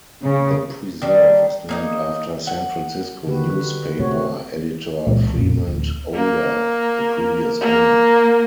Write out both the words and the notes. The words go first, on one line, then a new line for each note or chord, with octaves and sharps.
The preserve is named after San Francisco newspaper editor Fremont Older, a previous owner.
C#3
D#3 G3 D4
A#3 C4 D#4
F#5
D3 F#4 G4 B4
C3 A3 C4 F#4 C#5
C#2 A#2 E3 G#3
F#1 B1 F2 A#2
D1
A#3
A#3